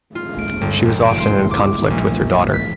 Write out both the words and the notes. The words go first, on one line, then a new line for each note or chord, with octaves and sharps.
She was often in conflict with her daughter.
F4
D7
G1
E1
D7
C6
D6
A#1
B6